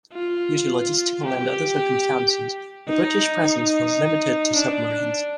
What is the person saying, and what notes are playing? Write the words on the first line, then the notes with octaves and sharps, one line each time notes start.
Due to logistical and other circumstances the British presence was limited to submarines.
F4
G4
D#4
D#4
D4